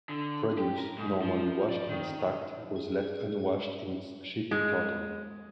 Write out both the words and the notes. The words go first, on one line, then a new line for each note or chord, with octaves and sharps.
Produce, normally washed and stacked, was left unwashed in its shipping carton.
D3
G4
A#4
G#2
F3
D5
D#3
G#4
G#3